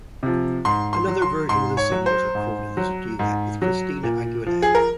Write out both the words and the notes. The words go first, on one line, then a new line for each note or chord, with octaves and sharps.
Another version of the song was recorded as a duet with Christina Aguilera.
C3 F3
G#2 C6
C6
F#3
C6
G#2 C6
C#5
F#3
C5
G#2
F#3
G#2
F#3
A#2
F3
G#4
A#4